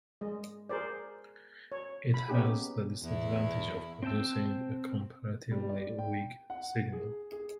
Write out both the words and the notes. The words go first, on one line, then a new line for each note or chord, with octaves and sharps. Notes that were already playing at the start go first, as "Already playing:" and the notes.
It has the disadvantage of producing a comparatively weak signal.
G#3 D#5
G#4 A#4 C5 D5
C#5
B5
B3 C#4 D#4 G4 G#4
E2 E4
C4 C5 G5 A5 E6
G3
D5
G5
F#5
G#4
G#4